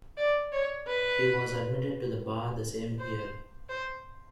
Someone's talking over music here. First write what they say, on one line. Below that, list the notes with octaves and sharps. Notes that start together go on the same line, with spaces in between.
He was admitted to the bar the same year.
D5
C#5
B4
C5
C5